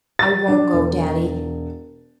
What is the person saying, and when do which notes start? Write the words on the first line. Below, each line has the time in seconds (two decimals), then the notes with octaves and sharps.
"I won't go, daddy."
0.19 A6
0.48 D4
0.73 E1